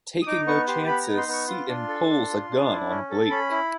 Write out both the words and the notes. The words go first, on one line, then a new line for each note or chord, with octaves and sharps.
Taking no chances, Seton pulls a gun on Blake.
D#6
D#4 D6
B3 C#6
G4 C6
B3 B5
D#4 A#5
C6
B3 C#6
F4 C6
D4
A4
D4
F4
D4
E4
C#4
A4
C#4 B5
E4